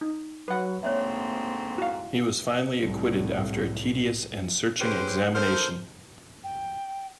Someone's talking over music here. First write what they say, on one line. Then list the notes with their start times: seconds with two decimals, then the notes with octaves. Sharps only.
He was finally acquitted after a tedious and searching examination.
0.01 D#4
0.48 F#3 B4 F#5
0.83 D2 G#2 A#3 C4 C#5 D5 E5
1.78 E4 F#4 F5
2.82 C2 A2
4.79 G#3 C#4 G4 B4 C5
5.34 D#4 A4 A#4 C5
6.44 G5